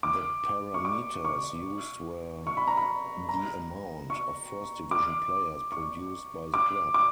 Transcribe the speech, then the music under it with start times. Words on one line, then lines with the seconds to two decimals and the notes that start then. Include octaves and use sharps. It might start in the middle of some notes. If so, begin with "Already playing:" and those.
The parameters used were the amount of first division players produced by the club.
0.03 D6
0.74 C#6
0.85 D6
1.25 C#6
2.47 C#6
2.57 B5
2.67 A#5
2.77 B5
3.29 A#5
4.10 C#6
4.91 D6
5.72 C#6
6.54 D6
6.94 D6